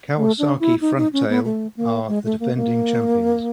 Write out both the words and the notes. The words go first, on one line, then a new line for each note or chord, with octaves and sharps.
Kawasaki Frontale are the defending champions.
A3
D4
E4
D#4
D#4
C#4
B3
A3
A#3
G#3
A3
A#3
A#3